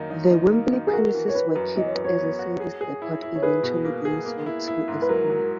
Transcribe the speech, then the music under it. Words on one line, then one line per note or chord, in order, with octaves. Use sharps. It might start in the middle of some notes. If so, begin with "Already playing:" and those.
The Wembley premises were kept as a service depot eventually being sold to Singer.
Already playing: F#2 D#3 A#3 D#4
D#4
D#4
A#3
D#4
G#4
F#4 A#4
E3
C#5
E3 B4
F#2
E3 D#5
C#5
F#2 B4
C#5
B3
F#4
G#4
G#4
E4
E4
C#5
G#4 B4
B2
A#3
G#4
A#3
E4
E4
G#2
B4
F#3 A#4
F#3